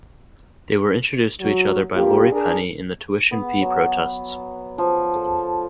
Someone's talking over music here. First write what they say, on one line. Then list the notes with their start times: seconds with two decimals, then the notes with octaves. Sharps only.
They were introduced to each other by Laurie Penny in the tuition fee protests.
1.41 F#3
1.94 G2 A#3 F4 G4
2.31 D4 G#4 A#4
3.31 B3
3.61 F#3
4.78 F3
5.15 A4